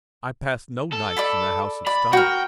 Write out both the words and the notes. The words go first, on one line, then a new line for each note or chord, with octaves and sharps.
"I passed no nights in the House of Stone."
A4
D5 A5 B5
D5 B5
F#4 A#4 G5